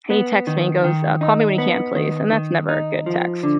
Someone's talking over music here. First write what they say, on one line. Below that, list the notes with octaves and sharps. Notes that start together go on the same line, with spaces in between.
and he texts me and goes, "Uh, call me when you can please." And that's never a good text.
B3
D#3
D#3
D#4
B3
D#3
D#3
D#4
F3
D3